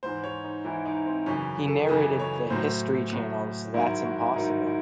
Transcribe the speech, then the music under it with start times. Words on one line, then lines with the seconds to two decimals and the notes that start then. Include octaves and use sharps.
He narrated the History Channel's "That's Impossible".
0.03 G#2 E3 C5
0.24 C#5
0.44 D#4
0.65 G#2 E3 E4
0.85 D#4
1.06 C4
1.26 F#2 C#3 E3 C#4
1.68 A4
1.88 F#2 C#3 E3 D#5
2.19 C#5
2.50 A2 F#3 C5
3.12 A2 F#3
3.74 G#2 D#3 F#3 E4
4.05 F#4
4.21 E4
4.36 G#2 D#3 F#3 D#4
4.67 E4